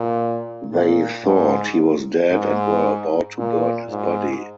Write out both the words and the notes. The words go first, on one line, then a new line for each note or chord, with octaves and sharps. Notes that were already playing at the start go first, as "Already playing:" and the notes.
They thought he was dead and were about to burn his body.
Already playing: A#2
A#2
G#2
G#2
A#2
G#2